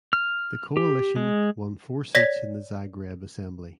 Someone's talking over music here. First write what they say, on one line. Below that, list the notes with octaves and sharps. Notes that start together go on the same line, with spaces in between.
The coalition won four seats in the Zagreb Assembly.
F6
G4
G#3
C#5 D5 G#6 A#6 B6